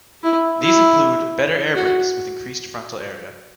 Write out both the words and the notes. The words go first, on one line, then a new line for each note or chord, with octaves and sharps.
These included better air-brakes with an increased frontal area.
E4
E4
F#4